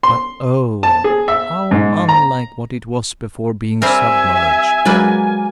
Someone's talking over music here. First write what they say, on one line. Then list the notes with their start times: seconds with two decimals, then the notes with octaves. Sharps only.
But, oh! how unlike what it was before being submerged!
0.03 C6
0.83 A5
1.04 G#4
1.28 E5
1.71 G#2
2.09 A#5
3.82 G3 C4 A#4 E5 G#5
4.85 F#3 G#3 A#3 B4 D5